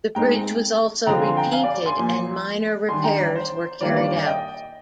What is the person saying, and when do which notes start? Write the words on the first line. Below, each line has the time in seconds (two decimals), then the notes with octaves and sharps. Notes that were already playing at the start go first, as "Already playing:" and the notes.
The bridge was also repainted and minor repairs were carried out.
0.15 A#2 G#3 C4 D#4 G5 A#5
1.06 D3 F3 C4 F4 G5 A#5
1.22 G#5 C6
1.37 G5 A#5
1.52 F5 G#5
1.63 D5
1.75 D5
1.86 G#5 C6
1.97 A#2 F3 A#3
2.89 D#3 G3 D4 G#5 C6
3.04 G5 A#5
3.20 D5
3.35 C5
3.81 D#3 G3 A#3 D4 F4 D5
3.96 D5
4.11 D5
4.26 D#5 G5